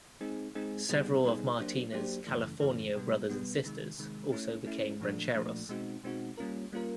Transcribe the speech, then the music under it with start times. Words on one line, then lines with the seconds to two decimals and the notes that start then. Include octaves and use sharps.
Several of Martina's Californio brothers and sisters also became "rancheros".
0.21 G#3 C4 D#4 G#4
0.55 G#3 C4 D#4 G#4
0.89 B2 G3 B3 D#4 G#4
1.24 B2 G3 B3 D#4 G#4
1.58 F#3 A#3 D4 G4 C5
1.92 F#3 A#3 D4 G4 C5
2.27 F#2 C#3 E3 A3
2.60 F#2 C#3 E3 A3
2.95 B2 G3 B3
3.29 B2 G3 B3
3.64 C3 D#3 G#3
3.98 C3 D#3 G#3
4.32 A3 C#4 E4
4.66 A3 C#4 E4
5.01 A#2 F3 A3 D4
5.35 A#2 F3 A3 D4
5.69 B2 G#3 C4 D#4 F#4
6.03 B2 G#3 C4 D#4 F#4
6.37 G3 A#3 C#4 F4 A#4
6.72 G3 A#3 C#4 F4 A#4